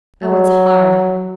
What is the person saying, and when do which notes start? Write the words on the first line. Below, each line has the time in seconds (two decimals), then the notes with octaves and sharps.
Oh it's hard.
0.23 F#3